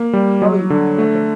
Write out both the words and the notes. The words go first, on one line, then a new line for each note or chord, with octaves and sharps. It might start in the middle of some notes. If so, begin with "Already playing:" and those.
Oh, you okay.
Already playing: A#3
G3
F#3
D3
A3